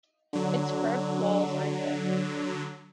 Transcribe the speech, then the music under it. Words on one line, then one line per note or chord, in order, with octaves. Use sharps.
Its curved walls are thick.
D3 F#3